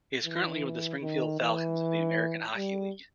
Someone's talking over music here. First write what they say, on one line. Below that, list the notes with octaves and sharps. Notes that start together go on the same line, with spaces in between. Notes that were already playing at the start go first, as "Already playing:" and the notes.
He is currently with the Springfield Falcons of the American Hockey League.
E3
D#3
E3
G3